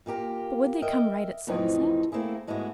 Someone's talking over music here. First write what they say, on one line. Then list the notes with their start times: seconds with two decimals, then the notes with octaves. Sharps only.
'But would they come right at sunset?'
0.06 A#2 A#3 G4 A#5
0.82 A#4 D#5 E5 G5
1.47 F2 A2 C#3 E3 C4 D#4
2.12 A3 A#3 C4 E4 G#4
2.47 G#2 G#3 A3 B3 E4 F#4